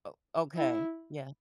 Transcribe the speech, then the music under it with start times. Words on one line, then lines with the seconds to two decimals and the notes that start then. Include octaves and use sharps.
Oh, okay, yeah.
0.56 E4